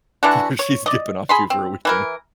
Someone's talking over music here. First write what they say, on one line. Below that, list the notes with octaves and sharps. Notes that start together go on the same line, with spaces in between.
who she's skipping off to for a weekend.
D3 E3 D4 F#4
C#5
D5 D#5
G#4 B5 C6
C4
E3 E4 A#4